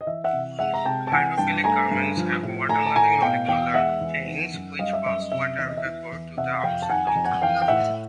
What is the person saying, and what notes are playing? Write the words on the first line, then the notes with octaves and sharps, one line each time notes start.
Hydrophilic garments have water-loving molecular chains which pass water vapor to the outside.
D#5
E3 E5
E5 F#5
C3
G#3 E5 F#5
A#5
C3 G5 A5
A5
E3 F#5 G#5
G2 G5 A5
A3 G#5 A#5
G2
F3
A2
A3 G#5 A#5
A5
A2 G#5 A#5
B2 F5 G5
E2 F5 G5
G#3 E5 F#5
E2
D#3
F#2
G3 D#5 F5
E5
F#2 E5
D#5
C3 E5
E2 E5
D#5
E5
E3
E2
C3 E5 F#5
F#5
F2 F5 G5
A5
D#3 F#5 G#5
G#5 A#5
F2
F#5 G#5
E3 F5 G5
G5
A2 E5 F#5